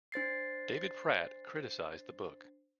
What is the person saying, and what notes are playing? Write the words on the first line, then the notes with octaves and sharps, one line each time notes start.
David Pratt criticized the book.
D4 C5 A6 C7